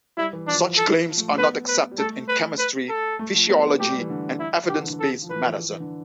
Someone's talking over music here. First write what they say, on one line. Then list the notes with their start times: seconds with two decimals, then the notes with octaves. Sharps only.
Such claims are not accepted in chemistry, physiology, and evidence-based medicine.
0.17 G3 E4
0.33 E3
0.47 F3 D4
0.78 A4
1.08 F3
1.17 A3
1.28 A3
1.38 B3 B4
1.68 B4
1.91 G3
1.98 A3 A4
2.28 B4
2.59 B4
2.89 A4
3.19 A3
3.35 F3
3.50 B3
3.79 A3 G4
3.89 G3
4.00 E3
4.10 D3
4.40 E4
4.69 D3 G4
4.80 E3
4.90 D3
5.00 A4
5.22 F3
5.30 E3 B4
5.45 E3
5.70 E3
5.80 D3